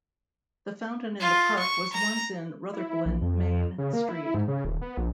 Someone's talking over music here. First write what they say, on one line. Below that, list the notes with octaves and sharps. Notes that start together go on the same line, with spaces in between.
The fountain in the park was once in Rutherglen Main Street.
F4
C#6
A#5
E4
A#1
F2
C#3
A#3
E4
G#2
C#3
D#1
B3
A#1